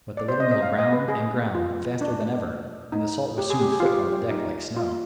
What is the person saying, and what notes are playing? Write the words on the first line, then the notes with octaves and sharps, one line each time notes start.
But the Little Mill ground, and ground, faster than ever, and the salt was soon thick on the deck like snow.
D5
C5
D#5
D#5
F5
D#5
B4
G#4
F4
D4
D#4
G4
G#4
G4
G#4
F4
G4
D#4
F4